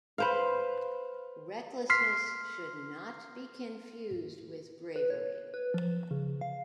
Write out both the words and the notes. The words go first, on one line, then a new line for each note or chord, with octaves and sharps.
Recklessness should not be confused with bravery.
B4 C5 F5
C6 F6 B6 C7
B4
C#5
B4
F3
C#3
F5